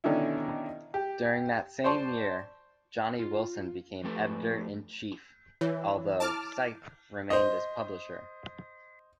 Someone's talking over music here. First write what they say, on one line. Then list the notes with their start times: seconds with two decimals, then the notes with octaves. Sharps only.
During that same year, Johnny Wilson became editor-in-chief, although Sipe remained as Publisher.
0.04 B2 D3 D#3 C#4 D4 E4
0.94 G4
1.84 C5 D5 A5 C6 C#6
3.20 F4
4.04 F3 A3 G4 A4 B4
5.61 E3 C#5 E5
6.20 E4 A5 A#5 D6 F6
7.30 C5 D#5